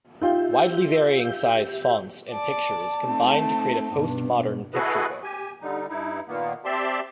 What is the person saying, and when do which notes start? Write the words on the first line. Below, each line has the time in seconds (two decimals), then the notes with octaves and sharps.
Widely varying size fonts and pictures combine to create a post-modern picture book.
0.21 D#4 F4 G4 E5 G5 G6
2.32 D5 A5
3.03 A3 C4 D#4
3.94 G2 B2
4.73 E4 F#4 G#4 A4 B4 D#5
5.23 G4 G#5
5.62 D3 G3 D#4
5.89 G2 D#4 E4
6.28 A#2 D#3 A#3 B3
6.65 C4 G4 D5 E5 A5 C6